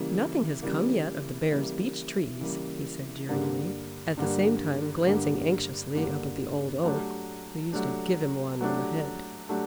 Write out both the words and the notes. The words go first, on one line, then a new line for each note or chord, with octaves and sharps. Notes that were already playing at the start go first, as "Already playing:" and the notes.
"Nothing has come yet of the Bear's Beech Trees," he said jeeringly, at the same time glancing anxiously up at the Old Oak, who used to give him one on the head.
Already playing: C#3 E3 G3 A#3
C#3 E3 G3 A#3
C#3 E3 G3 A#3
C#3 E3 G3 A#3
G2 D3 G3 A#3
G2 D3 G3 A#3
G2 D3 G3 A#3
G2 D3 G3 A#3
F#3 A3 D4 G4
F#3 A3 D4 G4
F#3 A3 D4 G4
F#3 A3 D4 G4